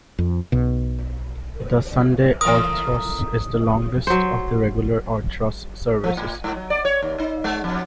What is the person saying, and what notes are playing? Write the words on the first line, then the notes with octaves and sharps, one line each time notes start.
The Sunday orthros is the longest of the regular orthros services.
F2
B1 B2
E3 A3 A#4 D#6
F#3 C5
F3
A2
G#2
F#3
D5
C#5
D#2
D#4
G#3
F2